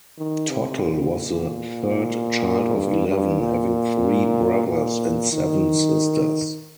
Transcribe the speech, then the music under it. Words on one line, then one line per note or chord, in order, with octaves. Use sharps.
Tottel was the third child of eleven, having three brothers and seven sisters.
D#3
C3
A#2
G2
G2
A#2
A#2
D#3